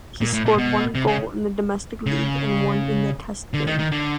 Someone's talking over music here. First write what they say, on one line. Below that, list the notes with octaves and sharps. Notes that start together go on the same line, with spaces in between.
He scored one goal in the domestic league and one in the test game.
A#2
A2
A#2
B2
C3
C#3
C#3
D3
D#3
D#3
D3